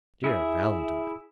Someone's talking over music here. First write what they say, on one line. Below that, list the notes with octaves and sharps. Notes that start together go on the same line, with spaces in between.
"Dear Valentine!"
E4 G#4 E5